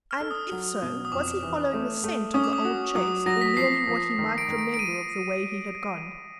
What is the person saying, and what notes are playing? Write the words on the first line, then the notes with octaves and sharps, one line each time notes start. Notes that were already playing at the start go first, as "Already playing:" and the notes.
And, if so, was he following the scent of the old chase or merely what he might remember of the way he had gone?
F6
A4
D#6
F#3
B2
D#6
F2 D6
E3
A3
A3
C#4 D#6
D6
D#6
F#4
F#3 D#6
F#3 A#6
B6
F3 C7
F3
D#3
D7
D#3
D7
D7
D#7